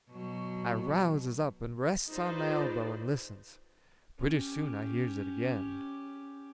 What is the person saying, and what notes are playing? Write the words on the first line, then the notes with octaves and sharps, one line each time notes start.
I rouses up, and rests on my elbow and listens; pretty soon I hears it again.
B2 F#3
D#4 F4 G#4 B4 C5 D5
C#4 G4